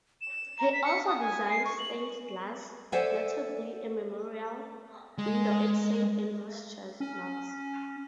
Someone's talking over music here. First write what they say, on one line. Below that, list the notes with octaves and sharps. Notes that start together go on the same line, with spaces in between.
He also designed stained glass, notably a memorial window at Saint Andrew's Church, Mells.
E7
A#5
B6
C#7
D#6
G#5
C7
C#6
F#7
A4 C5 D5 E5 F#5 G#5
G#3
C#4